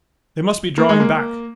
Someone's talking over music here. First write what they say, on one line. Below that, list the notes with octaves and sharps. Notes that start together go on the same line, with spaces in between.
They must be drawing back.
A#3
G#3
A#3